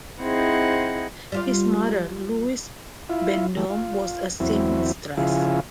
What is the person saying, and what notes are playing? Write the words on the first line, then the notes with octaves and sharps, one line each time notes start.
His mother, Louise Bendome, was a seamstress.
C4 D#4 E4 G#4 C5 F#5
G3 F4 D5
E4 F4
E3 G3 A3
F4
E2 F#3 C4 E4
C#3 F3 E4 F4 G#4